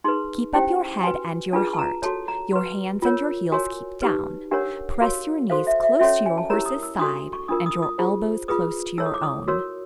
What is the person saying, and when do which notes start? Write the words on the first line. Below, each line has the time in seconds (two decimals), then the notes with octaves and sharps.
Keep up your head and your heart, Your hands and your heels keep down, Press your knees close to your horse's side, And your elbows close to your own.
0.04 D#4 G#4 B4 C6
0.53 C#4 E4 G4 C5 G5
1.03 F#4 B4 G#5
1.53 D4 F4 G#4 B4 A5
1.73 A5
1.79 A#5
2.02 F#4 A4 C#5 A5
2.28 A#5
2.53 F#4 B4
3.02 F4 A#4 C#5
3.52 F#4 A#4 C#5 G#5
4.02 D#4 G4 B4
4.51 D4 G4 A#4 C#5 F#5
5.00 F#4 A#4 C#5 F5
5.50 F#4 A4 C5 F5
5.67 E5
5.83 E5
6.00 C#4 F#4 A4 C#5 E5
6.26 G#5
6.37 A5
6.50 E4 G4 A#4 C#5 A#5
6.66 D#6
6.83 E6
6.99 D4 F#4 A4 D#6
7.33 C#6
7.48 D4 F4 A#4 D#6
7.66 D#6
7.82 D#6
7.98 F4 G#4 C5
8.48 F4 G#4 B4 D#6
8.98 E4 A4 C#5 E6
9.06 D#6
9.14 D6
9.23 D#6
9.48 F#4 A#4 C#5 E6